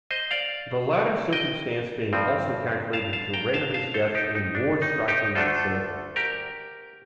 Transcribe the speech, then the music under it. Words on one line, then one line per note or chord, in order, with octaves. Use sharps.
The latter circumstance being also calculated to render his death a more striking example.
C5 D#5
D5 F5
D#5 G5
G2 F3 C4
F5 A5
F5 A5
G5 A#5
F5 A5
F5 A5
A4 C5
D#4 G4
D#4
D4
D#4
D#4 G4
D2 D3 A3 D4 F4 A4
G4 A#4